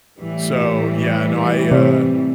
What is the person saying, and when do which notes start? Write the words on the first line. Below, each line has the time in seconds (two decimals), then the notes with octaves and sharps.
So yeah. No, I, uh,
0.19 A2 E3 G3
1.71 C3